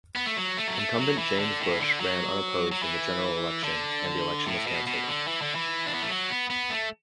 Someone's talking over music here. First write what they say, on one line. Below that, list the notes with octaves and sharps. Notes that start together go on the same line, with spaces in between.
Incumbent James Bush ran unopposed in the general election and the election was canceled.
B3
A3
F#3
A3
F#3
A3
F#3
E3
D3
A2
D3
F#3
F#3
E3
D3
A2
B2
B2
D3
E3
D3
E3
D4
B3
A3
F#3
B3
B3
A3